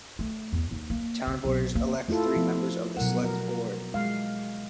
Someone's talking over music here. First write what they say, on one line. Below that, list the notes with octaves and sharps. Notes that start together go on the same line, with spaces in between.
Town voters elect three members of the select board.
A3
E2
D#2
A#3
C#3
B1
A#3
A3 E4 F4 A4
F3
B2 F#3 A#4 F#5
A#4
G#3 F5